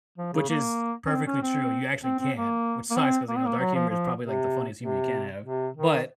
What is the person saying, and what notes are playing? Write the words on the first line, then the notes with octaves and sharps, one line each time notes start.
Which is perfectly true, you actually can't- which sucks 'cause, you know, dark humor is probably, like, the funniest humor you can have. But
F3
C#3
A#3
C#4
C4
C#4
C4
C4
C4
A#3
A#3
C4
A#3
C4
A#3
F#3
F3
F3
C3
C3
C3
D#3